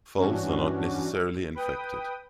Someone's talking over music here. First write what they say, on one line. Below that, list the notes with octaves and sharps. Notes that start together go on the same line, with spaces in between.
Foals are not necessarily infected.
G2 E3 C#4 D4 F#4
B4 G5 D#6